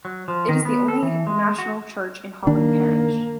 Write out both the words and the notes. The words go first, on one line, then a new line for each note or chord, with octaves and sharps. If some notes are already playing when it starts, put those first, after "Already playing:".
It is the only national church in Halling Parish.
F#3
F3
D#3
B3
A4
E3
G#3
F#4
D#3 A#3 D4